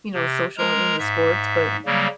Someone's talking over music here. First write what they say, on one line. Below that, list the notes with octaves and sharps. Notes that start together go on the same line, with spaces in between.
you know, social and into sports, but
C3
G#3 A#4 A#5
G#2 E5
C#3 F#3 G3 A#3